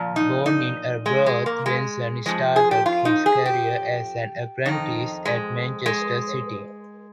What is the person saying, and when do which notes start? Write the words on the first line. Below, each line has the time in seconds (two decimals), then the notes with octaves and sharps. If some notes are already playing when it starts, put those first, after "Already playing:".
Born in Arbroath, Benson started his career as an apprentice at Manchester City.
Already playing: A#2 F3
0.16 D#4
0.46 D#4
1.06 G#3
1.26 G#3
1.46 A#3
1.66 G#3
2.26 F2 C#3 F3 G#3
2.56 G#4
2.71 G4
2.86 F4
3.05 D#4
3.26 G#4
3.46 G4
4.65 F2 D#3 D#4
5.25 G#3
5.86 G#3